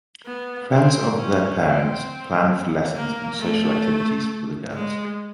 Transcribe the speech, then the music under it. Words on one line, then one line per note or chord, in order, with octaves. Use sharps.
Friends of their parents planned for lessons and social activities for the girls.
B3
C4
C#4
C4
A#3
A3
G#3